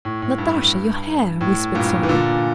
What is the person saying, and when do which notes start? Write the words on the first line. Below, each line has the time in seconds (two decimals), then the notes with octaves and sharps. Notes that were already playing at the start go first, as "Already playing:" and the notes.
"Natasha, your hair!..." whispered Sonya.
0.05 A2
0.22 A2
0.38 G2
1.41 A2
1.75 G2 A#2
2.03 E3
2.09 A#2 D3